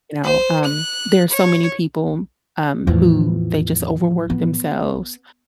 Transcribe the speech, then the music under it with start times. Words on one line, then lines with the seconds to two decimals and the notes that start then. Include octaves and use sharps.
you know? Um, there's so many people, um, who they just overwork themselves
0.24 C5
0.64 F#6
1.30 C#5
2.87 E2 A2 E3 F3
4.30 B3